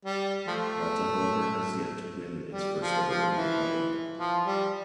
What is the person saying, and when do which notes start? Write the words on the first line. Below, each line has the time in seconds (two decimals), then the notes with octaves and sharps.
Malta, however, has yet to win its first ever Olympic medal.
0.05 G3
0.47 F3 A3
2.52 G3
2.80 F3
3.07 F3
3.35 E3
4.18 F3
4.45 G3